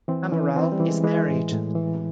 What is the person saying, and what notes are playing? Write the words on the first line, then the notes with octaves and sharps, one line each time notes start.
Amaral is married.
E3 C4
E3 C#4
E3 C4
G3
E3
G#3
E3 G#3
A2
A2
E3